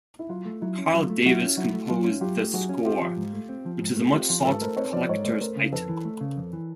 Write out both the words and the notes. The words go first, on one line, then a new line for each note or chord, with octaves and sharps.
Carl Davis composed the score, which is a much-sought collector's item.
E4
F#3 F4
A3
F#3 E4
C#4
F#3 F4
A3
F#3 E4 F#4
C#4
F#3 E4 F#4
A3
F#3 F4
C#4
F#3 F4 G4
A3
F#3 F#4 G#4
C#4
C4 F4 G4
F3
G#2
A3
C4
F3
G#2
A3
C4 F4 G4
F3 F4
G#2 A4 B4
A3 A#4 C5
C4 B4 C#5
F3 C5 D5
G#2 C#5 D#5
A3 C5 D5
A3 A#4 C5
C#3
F2 A4 B4
E3
A3
C#3
F2
E3